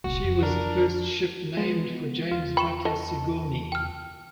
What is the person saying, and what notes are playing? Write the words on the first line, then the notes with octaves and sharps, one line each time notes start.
She was the first ship named for James Butler Sigourney.
D#1 C2 F#4
F2
D4 A#4
G#3 B3
E2 F4
G5 B5 C#6 E7
A4 D#5 A5
G5 F6